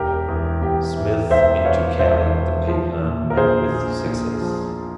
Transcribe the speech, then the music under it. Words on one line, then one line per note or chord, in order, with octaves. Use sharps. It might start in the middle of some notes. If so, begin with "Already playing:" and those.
Smith into carrying the paper met with success.
Already playing: E1 G4 A#4
E2
E2 G4
E3
E1 C5 E5
E3 C#5 F5
E1 C5 E5
E3
F3
A#2
A#4
A#1 G#4 C5
A#1
A#1
F3